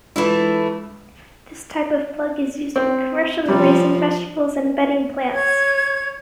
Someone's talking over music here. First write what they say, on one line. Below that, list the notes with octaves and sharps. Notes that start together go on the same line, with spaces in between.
This type of plug is used for commercially raising vegetables and bedding plants.
E3 G#3 A3 D4 E4 F4
C4
C3 F3 G3
C#5 G#6